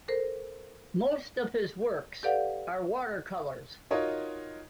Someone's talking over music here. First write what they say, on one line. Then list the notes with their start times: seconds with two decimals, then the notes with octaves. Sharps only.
Most of his works are watercolours.
0.08 A4 A#4 C5
2.23 G4 A4 B4 D5 F5 F#5
3.91 D#4 F4 F#4 A#4 C#5 D#5